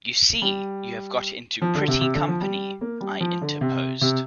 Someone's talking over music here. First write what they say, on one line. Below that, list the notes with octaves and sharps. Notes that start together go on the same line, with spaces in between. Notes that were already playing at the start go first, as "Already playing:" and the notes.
'You see you have got into pretty company,’ I interposed.
G3
F3
D3
C3
C3
D3
F3
G3
A#3
G3
F3
D3
C3
C3